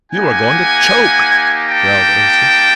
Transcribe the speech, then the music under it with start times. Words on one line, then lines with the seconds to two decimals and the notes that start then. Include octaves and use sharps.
"You are going to choke!" growled Ursus.
0.11 A#3 D#4 G4 F#5 G#5
1.68 G5 A5